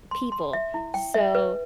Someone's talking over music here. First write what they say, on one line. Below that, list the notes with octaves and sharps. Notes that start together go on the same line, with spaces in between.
people. So,
C6
C6
E5
E4
G5
E5
B4